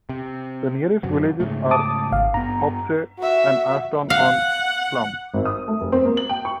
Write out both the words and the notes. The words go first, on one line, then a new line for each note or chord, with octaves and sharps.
The nearest villages are Hopesay and Aston-on-Clun.
C3
F#2 C3 F#3
G#2 C#3 A3
A5 D6 D#6
G#1 F5
G2 B3 A#5
F#4 E5
F5 F#5
G#1
D#6
A3
F1
C4
A#3
F#7
G5
C#6